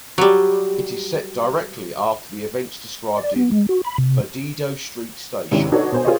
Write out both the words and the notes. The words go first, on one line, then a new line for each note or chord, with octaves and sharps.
It is set directly after the events described in "Perdido Street Station".
F#3 G3
D5
B3
G#3
F#4
B5
C3
G#2 C3 D#3 C#4 D4 E4
D4 D#4 F#4 A4 B4 C#5
B2 C5 G#5
F4 G#4 A#4 C5 C#5 D#5